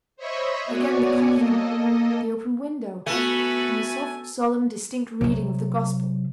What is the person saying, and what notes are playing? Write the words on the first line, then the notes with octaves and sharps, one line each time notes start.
Again the coffin, the open window, and the soft, solemn, distinct reading of the Gospel.
C5 C#5 D#5 E5 B5 C#6
B3 F#4 C#5 D5 G#5
A#3 A4 D#5
A3 B3 F#4 B4 G#5
C3 F#3